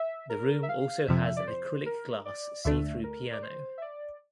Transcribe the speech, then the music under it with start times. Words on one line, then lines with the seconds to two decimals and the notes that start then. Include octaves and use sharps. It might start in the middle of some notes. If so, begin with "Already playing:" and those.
The room also has an acrylic glass see-through piano.
Already playing: E5
0.30 A#4
0.63 E5
0.69 F5
1.08 F2 C3 F3 E5
1.37 D5
1.47 C5
1.86 A#4
2.26 D5
2.64 D2 D3 A3 D4 E5
3.04 A#4
3.33 D5
3.43 C5
3.78 E5
3.82 D5